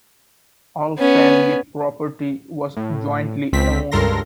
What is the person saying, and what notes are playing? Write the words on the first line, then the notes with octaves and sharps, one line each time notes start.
All family property was jointly owned.
B3 C#4
A2
C#2 C4 B6
C#2 G2 A4 A#4 C6 A#6